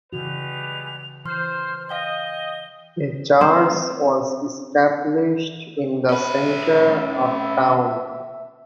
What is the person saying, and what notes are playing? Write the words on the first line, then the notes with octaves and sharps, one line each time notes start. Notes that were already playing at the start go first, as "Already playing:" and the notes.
A church was established in the center of town.
C#3 E3 G3 G#3 F#4 B4 F7
E3 C5 C6 F6
D#5 F5 G5 G6 G7
C4 C5
C#4 B4 E5